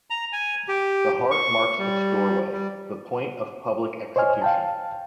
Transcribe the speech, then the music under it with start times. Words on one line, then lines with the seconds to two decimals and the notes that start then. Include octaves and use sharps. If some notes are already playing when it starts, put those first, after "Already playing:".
The heart marks its doorway: the point of public execution.
0.10 A#5
0.33 G#5
0.68 G4
1.31 C#6
1.79 G3
2.53 G3
4.16 C5 C#5 D#5 G#5 F6
4.42 F5 G5 A5